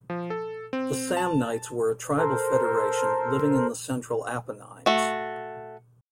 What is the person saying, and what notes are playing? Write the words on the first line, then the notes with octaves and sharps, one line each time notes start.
The Samnites were a tribal federation living in the central Apennines.
F3
A4
C4
A5
A4 A#4 C5
A3 F#4